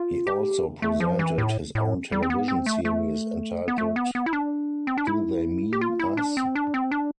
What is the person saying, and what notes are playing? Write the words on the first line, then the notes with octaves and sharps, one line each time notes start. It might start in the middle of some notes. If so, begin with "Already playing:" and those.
He also presented his own television series entitled Do They Mean Us?
Already playing: F4
G4
A3
F3
E3
A2
A2
G3
C4
B3
C4
A3
A3
B3
A3
B3
B3
E4
D4
C4
D4
E4
G4
F4
E4
D4
C4
D4
C4
D4